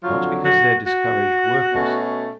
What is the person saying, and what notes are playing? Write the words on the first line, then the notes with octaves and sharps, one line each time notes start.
Not because they are discouraged workers.
F2 D3 F#3 F4
F#4
F#4
B2 A3 C#4